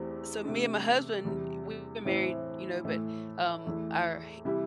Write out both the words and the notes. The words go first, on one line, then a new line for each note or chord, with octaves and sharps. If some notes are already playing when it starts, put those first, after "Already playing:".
so, me and my husband, we were married, you know, but, um, our h
Already playing: E2 E3 A3 C4 G4
C3 A3 D4
E2 C3 G3
A2 E3 C4 E4
A2 E3 A3 E4
E2 E3 A3 E4
C3 E3 G3 E4 G4